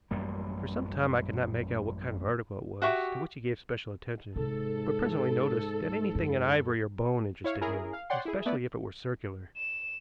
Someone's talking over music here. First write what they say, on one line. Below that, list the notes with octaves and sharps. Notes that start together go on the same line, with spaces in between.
For some time I could not make out what kind of article it was to which he gave special attention, but presently noticed that anything in ivory or bone interested him, especially if it were circular.
A1 F#2 G3 A#3
F#4 G4 E5 C#6
G#2 C3 G#3 A4
F#2
E4 C#5 F5
C#4 E4 G#4 A#4
F5
C#5 D5 F#5 G5 C6
E4 G#4
A3 B3 E4 B4 D5
E7